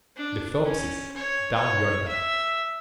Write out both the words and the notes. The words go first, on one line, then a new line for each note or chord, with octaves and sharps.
"The Phelpses, down yonder."
D4
C#4
C#5
C#5
E5